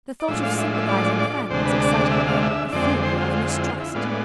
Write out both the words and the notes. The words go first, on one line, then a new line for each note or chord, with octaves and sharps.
The thought of sympathizing friends excited in him a fury of mistrust.
D5
A2 F3 G#3 D4 E5
F5
E5
E5
D5
D5
D2 C3 G#3 D4 C5
B4
D5
E5
F5
E5
F2 D3 G#3 C4 D5
C5
F4
F4
E4
F4
E4
A2 G#3 B3 D4 F4